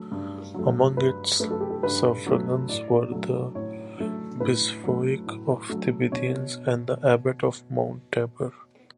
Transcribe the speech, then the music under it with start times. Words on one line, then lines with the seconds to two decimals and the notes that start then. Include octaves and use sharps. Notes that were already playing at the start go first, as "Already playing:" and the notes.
Among its suffragans were the Bishopric of Tiberias and the Abbot of Mount Tabor.
Already playing: F#3 A3
0.12 G2
0.54 F#3 A3
0.97 G2 B4
1.40 F#3 A3 B4
1.51 A4
1.60 G4
1.70 A4
1.83 G2 B4
2.26 F#3 A3
2.69 A2 D5
2.88 D5
3.12 F#3 A3
3.55 A2 C#5
3.98 F#3 A3
4.40 A2 B4
4.84 F#3 A3
5.27 A2
5.69 F#3 A3
6.12 B2 C#5